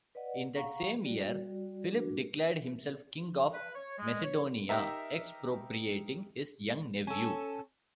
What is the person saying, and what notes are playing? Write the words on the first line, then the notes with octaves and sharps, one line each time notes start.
In that same year Philip declared himself king of Macedonia, expropriating his young nephew.
B4 D5 D#5 F#5
F5 F#5 A#5 C#6
G3 F#4 D5
D4 F#4
B4
C#5
G#3
C#5
D#4 G4 A#4 E5
C#4 A4